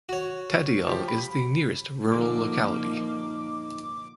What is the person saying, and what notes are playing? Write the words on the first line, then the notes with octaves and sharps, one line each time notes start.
Tadiyal is the nearest rural locality.
F#4 C#5
F3 G4
B5
A#2 D3 F3 A#3 D#4 D6